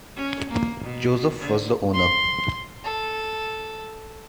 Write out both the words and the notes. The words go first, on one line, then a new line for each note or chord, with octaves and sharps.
Joseph was the Owner.
C#4
A#3
B2
D3
C6
A4